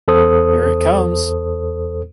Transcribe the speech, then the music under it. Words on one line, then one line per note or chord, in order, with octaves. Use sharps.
Here it comes!
E2 A4 C5 D#6